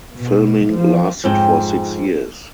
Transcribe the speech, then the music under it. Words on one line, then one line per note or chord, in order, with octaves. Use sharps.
Filming lasted for six years.
B2
F3
F2 G#2 C4 G5